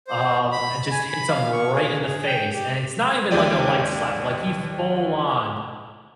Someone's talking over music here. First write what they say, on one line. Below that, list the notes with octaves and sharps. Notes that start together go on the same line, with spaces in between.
um, and just hits him right in the face, and it's not even like a light slap, like, he full on
C5
B5
G#5
B5
F5
C#6
G#4
G#4
G5
G4
D#2 G#3 G4 D5 G5 D#7